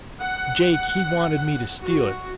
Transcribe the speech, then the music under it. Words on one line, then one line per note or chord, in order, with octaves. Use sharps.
Jake, he wanted me to steal it.
F#5
F#4